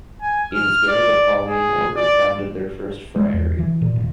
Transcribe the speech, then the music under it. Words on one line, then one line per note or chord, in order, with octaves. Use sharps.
It is where the Pauline Order founded their first friary.
G#5
F6
D5
G#4
D5
G#3
E2
E3
A#2
D#1